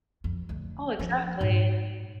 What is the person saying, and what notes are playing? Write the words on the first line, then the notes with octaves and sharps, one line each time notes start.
Oh, exactly.
F2
D2
F3 D4
G#2